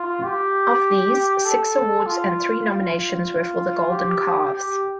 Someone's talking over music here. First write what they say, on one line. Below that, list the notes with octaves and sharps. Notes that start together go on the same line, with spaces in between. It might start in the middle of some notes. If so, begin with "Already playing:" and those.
Of these, six awards and three nominations were for the Golden Calves.
Already playing: F4
G4
A4
F4
F4
G4
G4